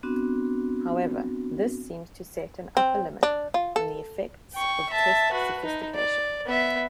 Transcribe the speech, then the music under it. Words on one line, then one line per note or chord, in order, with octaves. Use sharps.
However, this seems to set an upper limit on the effects of test sophistication.
B3 C4 D4 F#4
C4
D4
F4
A4
G5 C#6
E5 A5
F#4 B4
D#4
D5
B3 E5